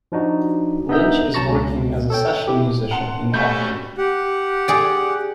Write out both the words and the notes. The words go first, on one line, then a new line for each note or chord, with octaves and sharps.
Lynch is working as a session musician in Auckland.
F3 D4 D#4 F#4
B3 D4 D#4 D#5 E5 G6
B1 F#3 A5 A#5 C#6 A#6
C#2 B2
A4 C#5 G5
E4 G4
F#5 A5 C6
G3 A3 C#4 F#4 B5 C#6 G6
G4 F#5
G#4 D5